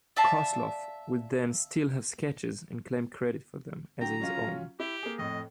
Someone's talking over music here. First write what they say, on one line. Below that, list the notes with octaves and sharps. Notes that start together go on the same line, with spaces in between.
Kosloff would then steal her sketches and claim credit for them as his own.
D5 E5 F5 A5
D3 F#3 G5 A#5
F#3 C#4 F4
E4 G4
A#3 G#4
F2 A2 D#5